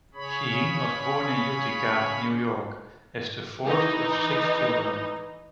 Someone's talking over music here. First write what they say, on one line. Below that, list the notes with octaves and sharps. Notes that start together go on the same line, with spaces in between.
Sheheen was born in Utica, New York as the fourth of six children.
C#3 G#4 C#5 B5
E3 D#4